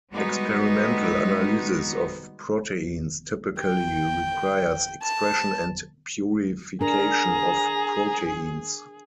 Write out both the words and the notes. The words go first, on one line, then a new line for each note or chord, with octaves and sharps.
Experimental analysis of proteins typically requires expression and purification of proteins.
G3 G#3 B3 D#4 F#4
G5
A5
D4 G#4 A#4 G#5 A#5